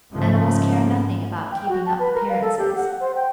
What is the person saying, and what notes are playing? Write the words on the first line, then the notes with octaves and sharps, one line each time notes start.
Animals care nothing about keeping up appearances.
G#2 C#3 F3 A3
G5
F#4
A5
B4
A#4
F5
A4
G4
F#5
C5
G5